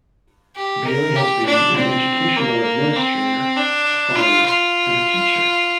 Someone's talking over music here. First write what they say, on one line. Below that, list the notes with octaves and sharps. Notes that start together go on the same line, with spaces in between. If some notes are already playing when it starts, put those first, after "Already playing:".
Bailey has been an educational administrator, a farmer, and a teacher.
G4
A#4
G4
D4
C4
A#3
C4
D4
F4
F4